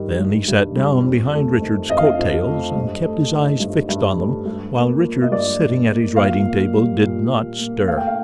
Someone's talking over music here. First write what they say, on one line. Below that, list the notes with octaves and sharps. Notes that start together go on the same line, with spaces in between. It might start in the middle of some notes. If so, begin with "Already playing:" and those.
Then he sat down behind Richard's coat-tails and kept his eyes fixed on them, while Richard, sitting at his writing-table, did not stir.
Already playing: G2 D#3 G3
G2
G2
G3
F2
A3
D#3
F2 D#5
F5
D#5
F2
A3
G2
A3
D#3
G2
G2
A3
G2
A#3
F3
D#5
G2 D5
G2
A#3
A#2 F5
A#3
G3
A#2
A#2
A#3
A3 F5
G5
F5